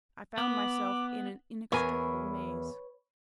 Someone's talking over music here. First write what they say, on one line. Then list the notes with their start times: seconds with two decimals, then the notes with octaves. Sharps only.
I found myself in an inextricable maze.
0.38 B3 D6
1.72 E2 A#4 B4 C#5 G#5